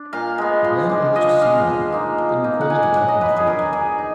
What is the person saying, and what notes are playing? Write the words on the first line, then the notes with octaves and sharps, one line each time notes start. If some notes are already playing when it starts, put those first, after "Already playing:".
The band rehearsed some more, then recorded the album a third time.
Already playing: D4
A#2 F5
G#3 B3
F3
G#3 D4
F3 D#5
G#3 D4 F5
F3
A#3 D#4
F3
A#3 D#4
F#5
B2 G#5
F#5
F#3 D4 F#5
D#5
B2 B4
G#4
F#3 D4 A#4
B2 G#4
D#4